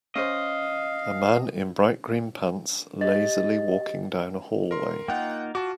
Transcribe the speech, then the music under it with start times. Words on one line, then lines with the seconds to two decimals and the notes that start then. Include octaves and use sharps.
A man in bright green pants lazily walking down a hallway.
0.16 C#4 C5 D#5 F5
3.01 G4 D#5 A6
4.71 A#4 C6
5.08 A#3 D#4 F4 F#5 G5
5.55 F4 F#4 A5 D6